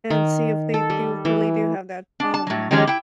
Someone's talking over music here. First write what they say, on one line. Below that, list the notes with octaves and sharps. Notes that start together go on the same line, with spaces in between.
and see if they do really do have that, um,
D#3
A4
G3
E3
D4
A5
A2 F#3
D#3 F3 G#3 C#4 G4 G#4
E4 G5